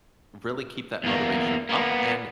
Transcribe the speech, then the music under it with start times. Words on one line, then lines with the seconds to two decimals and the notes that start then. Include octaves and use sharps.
really keep that motivation up and
1.04 E2 A#3
1.69 A#3 B3